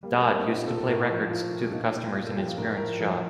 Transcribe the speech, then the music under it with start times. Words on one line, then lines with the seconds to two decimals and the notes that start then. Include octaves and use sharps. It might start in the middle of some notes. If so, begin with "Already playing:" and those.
Dodd used to play records to the customers in his parents' shop.
0.03 G3 A#3
0.14 A3
0.24 G3 A#3
0.35 C4
0.46 A#2 D#4
0.56 F4
0.67 A#2 A4
0.77 A4
0.87 A2 A#4
1.10 F3
1.30 F3 F4
1.52 A2
1.62 D4
1.73 A#2 D#4
1.95 A#2
2.15 A#2 F4
2.26 A4
2.37 F3 G4
2.47 F4
2.58 A2 A#4
2.77 F3 A#4
3.00 F3 A4